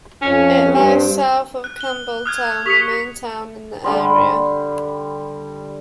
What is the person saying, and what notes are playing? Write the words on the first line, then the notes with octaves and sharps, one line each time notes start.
It lies south of Campbeltown, the main town in the area.
F2 C#4
G2 C4
F#6
G7
D#6 F6 F#6 G#6
G4 C#6 D#6 B6 C#7 F7
D3 G3 C6